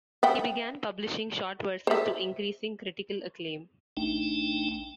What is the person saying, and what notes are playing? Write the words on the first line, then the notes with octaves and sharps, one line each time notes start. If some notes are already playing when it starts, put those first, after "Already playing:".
He began publishing short verses to increasing critical acclaim.
E5 F#5 G5
C5 E5
A1 A3 D4 D#4 G5